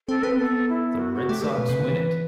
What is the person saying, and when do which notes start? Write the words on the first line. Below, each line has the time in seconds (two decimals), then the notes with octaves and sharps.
The Red Sox win it!
0.08 C4 A4
0.23 C4 B4
0.38 B3 A4
0.69 E4
0.99 F#4
1.14 F#4
1.29 A3 G4
1.44 A3 B4
1.58 B2
1.69 C3
1.80 D3
1.90 E3